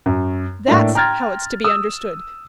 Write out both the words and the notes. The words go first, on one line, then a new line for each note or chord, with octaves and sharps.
That's how it's to be understood!
F#2
A2 A#3 D4 E4
G5 A#5 C6 F6 G#6 A6
D#6 E6